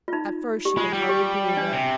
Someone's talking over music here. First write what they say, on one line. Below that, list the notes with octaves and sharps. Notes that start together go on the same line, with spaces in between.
At first she could hardly believe it.
F4
D#4
G4
G#3 F4
G3
G4
D4
C3